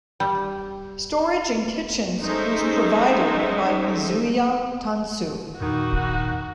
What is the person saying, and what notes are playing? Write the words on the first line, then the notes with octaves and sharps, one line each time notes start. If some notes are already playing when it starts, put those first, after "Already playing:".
Storage in kitchens was provided by "mizuya tansu".
G3
G#3 C#4 D#4 A4 C5 E5
E2 G2 A#2 D#3 F#4